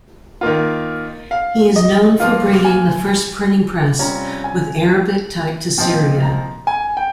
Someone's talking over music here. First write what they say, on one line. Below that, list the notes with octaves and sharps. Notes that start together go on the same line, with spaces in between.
He is known for bringing the first printing press with Arabic type to Syria.
D#3 A#3 F4
F5
D#5
F3 A#3 F4 F5
G#5
C3 G3 C#4 F4 A#5
G#5
A#2 F3 C4 D#4 G5
A#5
G#5
G5